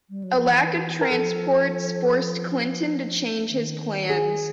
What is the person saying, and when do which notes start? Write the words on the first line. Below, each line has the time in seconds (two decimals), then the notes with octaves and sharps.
A lack of transports forced Clinton to change his plans.
0.10 G3
0.23 F#3
0.37 F3
0.50 E3
1.01 A#4
1.10 F3 A4
3.49 D#3
4.09 G#4